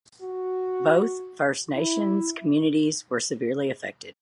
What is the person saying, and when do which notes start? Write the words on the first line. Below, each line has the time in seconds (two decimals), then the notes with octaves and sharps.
Both First Nations communities were severely affected.
0.22 F#4
1.75 E4